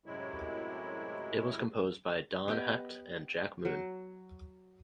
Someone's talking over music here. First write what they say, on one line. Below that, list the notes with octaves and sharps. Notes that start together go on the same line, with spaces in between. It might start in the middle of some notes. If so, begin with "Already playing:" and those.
It was composed by Don Hecht and Jack Moon.
F#2 A2 C3 F#3 G#3 E4
B3 G4 D#5 G5
F#3